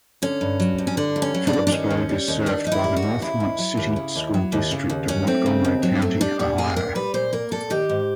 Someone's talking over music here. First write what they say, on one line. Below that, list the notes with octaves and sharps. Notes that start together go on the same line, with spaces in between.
Phillipsburg is served by the Northmont City School District of Montgomery County, Ohio.
D3 C#4
G2
F#3
G2
C#4
D3 D4
G2
C#4
F#3
D4
G2
D4
D#3 C#4
D#2
G3
D#2
D#3 D4
D#2 D#4
E4
G3
F#4
D#2
C#3 E4
D#2
F#3
D#2
C#3
D#2
F#3
D#2
C#3
D#2
F#3 C#4
A3 C4
C#3
D#2
F#3
A3
G3 D4
A#2 D4
A#3 G#4
A#2 A#4
G3 B4
A#2 C5
A#3 A#4
A#2 A4
D#3 G4
G#2